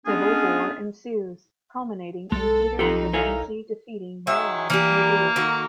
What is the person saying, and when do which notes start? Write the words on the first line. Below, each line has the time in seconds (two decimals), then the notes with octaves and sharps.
Civil war ensues, culminating in Peter Pevensie defeating Miraz in a duel.
0.06 G#3 B3 C#4 D4 F4 G#4
2.32 B1 G#3 A4
2.79 F3 D#4 F4 G4 A4
3.13 E4 A4 A#4 C#5 F5 G#5
4.27 D#3 F#3 G#3 E5
4.70 E3 A#3 D4 G4
5.36 D#3 F#4 A4